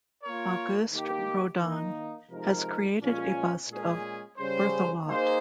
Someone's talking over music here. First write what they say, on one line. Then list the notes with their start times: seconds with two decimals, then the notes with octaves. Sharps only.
Auguste Rodin has created a bust of Berthelot.
0.23 A#3 F4 A#4 C#5
0.92 D#3 A#3 D#4 G4
1.61 D#3 A#3 D#4
2.30 C3 F3 G#3 D#4 A#4
3.00 A#2 F3 G#3 C#4 F4
3.68 A#2 G#3 C#4 G#4
4.38 C#3 G3 C#4 G#4 C5
5.06 A#3 D#4 G#4 C5